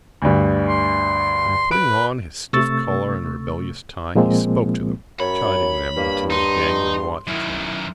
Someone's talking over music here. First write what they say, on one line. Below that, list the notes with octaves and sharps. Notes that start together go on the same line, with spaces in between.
And putting on his stiff collar and rebellious tie he spoke to them, chiding them, and to his dangling watchchain.
D2 G2
C6
B4 D7
C3 A3 C#6 E6 A6
A#2 F3 G#3 A#3 C4
F#2 C#5 B5
G2 A#3
D#4 C6
F#2 D#3 E4